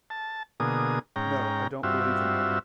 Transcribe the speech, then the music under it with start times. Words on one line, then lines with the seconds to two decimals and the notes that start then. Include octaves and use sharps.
No, I don't believe in them.
0.10 A5
0.60 B2 D3 A#3 G#4 D#6
1.16 G#2 C#4 G5 A#5
1.83 G2 C4 F4 F#4 E5